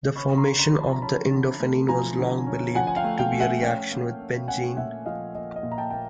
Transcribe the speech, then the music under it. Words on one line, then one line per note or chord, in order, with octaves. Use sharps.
The formation of the indophenin was long believed to be a reaction with benzene.
C#4 B5 C#6
A#5 C6
D3
A#5 C6
F3
A5 B5
A#5
C#4 A5 B5
D3
A3
F3 G#5 A#5
D3
C#4
F3 F#5 G#5
G#5
F5 G5
A3
F5 G5
A3
E5 F#5
C#4 F5 G5
A#3
C#4
C#4 F#5 G#5
A#2 E5 F#5
F3 D#5 F5
A#3 D#5
D#5
A#2
A#5
G5 A5
A#3 G5